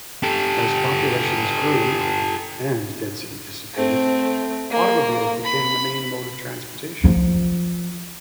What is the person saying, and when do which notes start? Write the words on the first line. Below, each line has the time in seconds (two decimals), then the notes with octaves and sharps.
As populations grew and density dissipated automobiles became the main mode of transportation.
0.23 G4 A4
3.74 A3 C4
4.70 A#3
5.44 B5
7.04 F3 F4